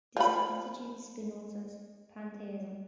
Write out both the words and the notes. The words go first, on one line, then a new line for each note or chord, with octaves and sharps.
This constitutes Spinoza's "Pantheism".
F3 B5